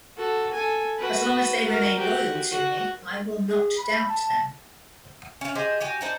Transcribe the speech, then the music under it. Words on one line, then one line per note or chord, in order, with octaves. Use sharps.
As long as they remain loyal to me, I will not doubt them.
F#4 A4
A4 G#5
F#4 B4
F#4 A#4
F#4 G4
F#4
G#4
B5
A5
C#4 F5
G4 G#4 C5 D#5
F#4 G4 G#5
D4 D#4 C5